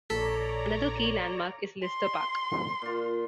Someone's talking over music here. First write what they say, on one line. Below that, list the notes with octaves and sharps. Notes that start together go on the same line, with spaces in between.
Another key landmark is Lister Park.
A#1 A#2 A4 C#5 D5 A#5 B6
C6
A#2 F4